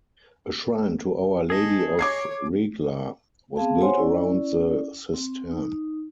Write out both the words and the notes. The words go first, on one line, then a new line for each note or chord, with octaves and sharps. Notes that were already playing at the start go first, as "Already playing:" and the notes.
A Shrine to Our Lady of Regla was built around the cistern.
G#4 A4 D#5
C#5 D6 G#6 C7
B3 C4 G#4 F5 A5
C5 C#5 F#5 G#5 C6
C#4 E4 D5
C4
D#4